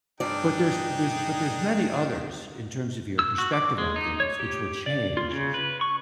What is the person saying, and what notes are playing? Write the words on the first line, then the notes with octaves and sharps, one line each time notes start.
But there's there's, but there's many others in terms of your perspective on things which will change,
G2 D4 D#4 G#4 D5 G5
E6
F#4
D6
G#3
D#4
C#5
G4
D5
F4
C#3
B4
C#6